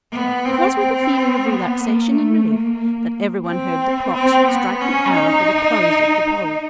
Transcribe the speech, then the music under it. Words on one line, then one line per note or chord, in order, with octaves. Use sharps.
It was with a feeling of relaxation and relief that every one heard the clocks strike the hour for the close of the poll.
B3
C4
C4
B3
A#3
A3
A#3
C4
C4
B3
C#4
D#4